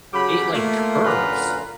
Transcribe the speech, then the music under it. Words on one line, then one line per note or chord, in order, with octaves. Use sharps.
it, like, curves
C#3 F#3 F#4 G4 B5
A3 A#3 F4
F#2 A#2 D3 F4 B4 A#5